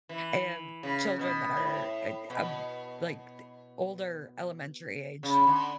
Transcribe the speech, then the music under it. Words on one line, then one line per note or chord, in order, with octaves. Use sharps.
I have children that are it um, like, the older elementary age,
E3
C#3
B2
A2
B2
C#3
D3